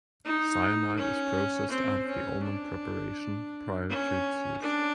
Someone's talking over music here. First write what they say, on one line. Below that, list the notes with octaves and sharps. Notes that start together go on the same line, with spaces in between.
Cyanide is processed out of the almond preparation prior to its use.
D#4
C#4
C4
C#4
D4
C#4
D4